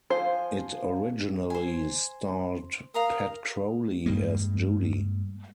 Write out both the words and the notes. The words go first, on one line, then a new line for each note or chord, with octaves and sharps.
It originally starred Pat Crowley as Judy.
F3 C5 G#5
C5 G#5
A#4 F5 A#5 D#6
G2 G3 G#3 A#3